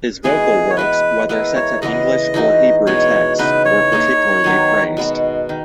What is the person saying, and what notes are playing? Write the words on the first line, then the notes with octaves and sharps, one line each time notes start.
His vocal works, whether set to English or Hebrew texts, were particularly praised.
E3 G#3 B3 F#4 G#4
C#5
E3 G#3 B3 B4
G#3 B3 E4 A#4 B4
C#5
C#3 E3 G#3 B3 D#5
E3 G#3 D#4 F#4
B2 G#3 B3 C#5
C#3 E3 B3 D#4 B4
C#5
A#3 D#4 G#4
D#3 F#3 B3
B2 G#3 B3 F#4
D#3